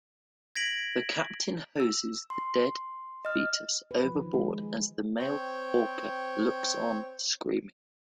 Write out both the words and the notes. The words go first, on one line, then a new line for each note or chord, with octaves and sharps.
The captain hoses the dead fetus overboard as the male orca looks on screaming.
G#6 A#6 B6 D7 F#7
E6
C6
D#5 F6
B4
F3
D#3
G#3
G#4
C4 C#5 G5